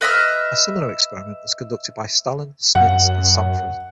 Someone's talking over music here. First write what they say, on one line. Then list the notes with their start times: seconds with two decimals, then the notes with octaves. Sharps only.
A similar experiment was conducted by Stallen, Smidts, and Sanfrey.
0.01 B4 D#5 E5 F6
2.75 F#2 F#5